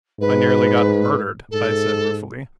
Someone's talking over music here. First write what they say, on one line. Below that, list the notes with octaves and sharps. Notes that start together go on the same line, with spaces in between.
"I nearly got murdered," I said ruefully.
G#2 B4
G#2 A4